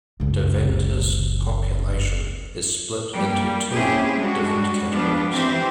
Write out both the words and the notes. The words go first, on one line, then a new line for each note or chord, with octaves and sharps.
Derventa's population is split into two different categories.
F#1 C#2
G3 A#3
A#3 C4 C#4 E4 G4 G#4
G3 G#3 D4 F#4
F3 G3 B3 D4 F4
E3 C4 G4 C5